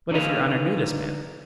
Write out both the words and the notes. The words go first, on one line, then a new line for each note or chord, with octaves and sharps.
"But if your honor knew this man?"
D3 D#4 B4 D#5 F5